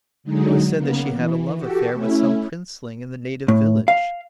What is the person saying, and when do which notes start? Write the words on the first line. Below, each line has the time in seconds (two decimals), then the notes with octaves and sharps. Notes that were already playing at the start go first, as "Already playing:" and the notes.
It was said that she had a love affair with some princeling in the native village.
0.24 D3 F#3 G#3 D#4
0.74 C#3 A#3 B3
1.14 E3
1.56 F#4 G4 A4
1.93 A3 C#4 E4
3.48 A2
3.88 F5